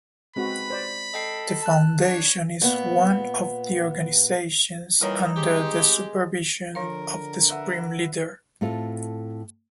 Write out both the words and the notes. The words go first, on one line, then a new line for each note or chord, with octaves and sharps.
The foundation is one of the organizations under the supervision of the Supreme Leader.
G#3 C4 F#4 B4 B5
C5 D5
A4 D#5 G5 C7
A5 F#6
D4 C#5
A#2 B3
A#2 D#3 E3 G3 D#4 C#5 A#5
G#3 C4 G4
D3 F3 F4 A#4 F5
B4 E5 F#5
A2 C4 F4 A4